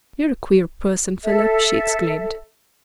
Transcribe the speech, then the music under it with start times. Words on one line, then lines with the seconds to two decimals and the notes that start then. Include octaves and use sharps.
"You're a queer person, Philip," she exclaimed.
1.23 A4 E5